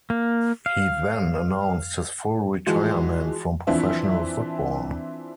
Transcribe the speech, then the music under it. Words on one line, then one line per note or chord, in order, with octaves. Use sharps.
He then announced his full retirement from professional football.
A#3
F5
E3 F3 G#3 F#4
E3 F3 C4 D4 E5